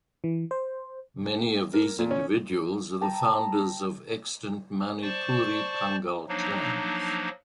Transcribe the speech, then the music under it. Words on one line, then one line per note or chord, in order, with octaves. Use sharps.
Many of these individuals are the founders of extant Manipuri Pangal clans.
E3
C5
A#4
A#2
C#4
G5 A5 A#5
C5 D5 A5 C#6
F3 F#3 A#3 D4 D#4